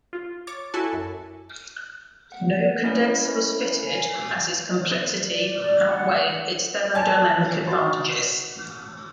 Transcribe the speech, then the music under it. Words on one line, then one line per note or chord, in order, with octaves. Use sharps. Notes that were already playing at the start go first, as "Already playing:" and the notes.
No condenser was fitted, as its complexity outweighed its thermodynamic advantages.
F4
C#5 D6 A6
E4 F#4 A4 G#5 A5
F#2
F#5
A3 C#4 E4 A#4 C#5 D#5
F5 G#5
D5
D5
F#5
G#5 A5 G#6 A6
F#4 C6 A6